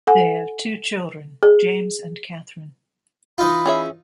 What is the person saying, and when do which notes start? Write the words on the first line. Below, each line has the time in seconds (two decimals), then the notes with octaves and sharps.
They have two children, James and Catherine.
0.07 A4 F#5 G#5
1.43 G#4
3.38 E3 D#4 F4 B5
3.66 C#4 G#4 E5